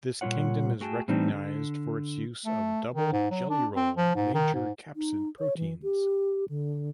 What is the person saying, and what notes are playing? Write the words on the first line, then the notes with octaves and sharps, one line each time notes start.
This kingdom is recognized for its use of double jelly roll major capsid proteins.
A#2 G3 D#4 F4 C#5 F#5
A3 F#4 G#4 G5 A5
A2 E3 G3 C4 D4 D#4
D3
A3
D#3
G#2
F#3
D4
C4
F3
G#2
D#3
G#2
D#4
C#5
E3
G4
D3